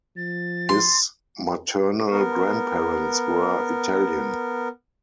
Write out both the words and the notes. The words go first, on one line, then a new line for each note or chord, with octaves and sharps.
His maternal grandparents were Italian.
F3 A6
C6
B3 A#4